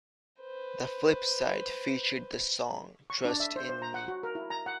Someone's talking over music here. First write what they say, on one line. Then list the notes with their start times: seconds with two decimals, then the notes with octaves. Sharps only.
The flip side featured the song Trust in Me.
0.41 B4 C5
3.10 C#6
3.25 D4
3.40 E5
3.56 C5
3.69 C5
3.82 A#5
3.94 F#5
4.08 F#4
4.23 A#4
4.35 E4
4.50 A#5
4.66 F#5